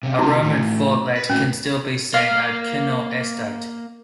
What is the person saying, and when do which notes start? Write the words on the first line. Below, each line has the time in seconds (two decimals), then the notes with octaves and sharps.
A Roman fortlet can still be seen at Kinneil Estate.
0.03 C3 C#4
0.19 C3 A#3 D#4 E4 F#4
0.42 A2 E3
1.16 B4
1.30 A2 C#4 F#4
2.14 A#3 F5